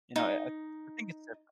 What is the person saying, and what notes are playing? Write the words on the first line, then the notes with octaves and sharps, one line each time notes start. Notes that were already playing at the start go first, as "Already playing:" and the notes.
you know, I I I think it's different.
D#4